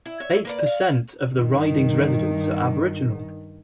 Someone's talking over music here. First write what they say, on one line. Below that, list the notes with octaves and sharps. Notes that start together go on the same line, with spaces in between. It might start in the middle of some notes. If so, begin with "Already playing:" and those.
Eight per cent of the riding's residents are aboriginal.
E4
C#5 E5
A#3 B4 D5
F5
G2 D#3